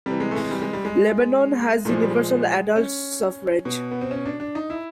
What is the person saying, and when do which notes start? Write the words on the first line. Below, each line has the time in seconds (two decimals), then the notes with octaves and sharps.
Lebanon has universal adult suffrage.
0.06 C3 E3 G3
0.20 G#3
0.31 A3
0.35 G#3
0.51 G3
0.62 G#3
0.73 G3
0.85 G#3
1.85 A#2 A3
1.89 F3 G#3
2.02 G3
2.10 G#3
2.76 C#4
3.65 B2
3.91 B3
4.01 C4
4.11 C#4
4.26 D4
4.40 D4
4.55 D#4
4.70 E4